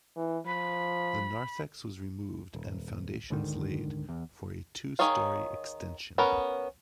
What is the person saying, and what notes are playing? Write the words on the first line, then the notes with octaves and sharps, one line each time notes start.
The narthex was removed and foundations laid for a two-storey extension.
E3
F3 B5
D#1
D2 G#2 D3 D#3
E2
D#3 D#4 G#4 C#5 F5
B3 C#4 A#4